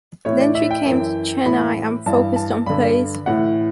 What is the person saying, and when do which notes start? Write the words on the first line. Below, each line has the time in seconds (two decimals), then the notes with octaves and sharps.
Then she came to Chennai and focused on plays.
0.25 A2 E3 C#5
0.40 D5
0.55 E5
0.71 G5
0.85 F#2 E3
1.45 A2 E3 B5
2.06 G2 E3 A5
2.36 A5
2.66 G2 D3 B5
3.26 A2 E3 F#5